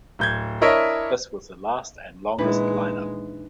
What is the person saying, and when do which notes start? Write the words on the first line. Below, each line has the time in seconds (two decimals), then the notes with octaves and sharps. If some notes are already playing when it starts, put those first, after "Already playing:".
This was the last and longest lineup.
0.19 D1 G6 G#6
0.61 D4 E4 A#4 C#5 D#5 E5
2.38 A#2 E3 G#3 D4 D#4 B4